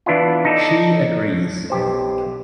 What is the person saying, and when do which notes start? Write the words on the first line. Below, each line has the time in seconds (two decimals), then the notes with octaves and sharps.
She agrees.
0.06 E3 B3 D4 E4 F4
0.45 D#4 A4 D5
1.70 B1 G4 C5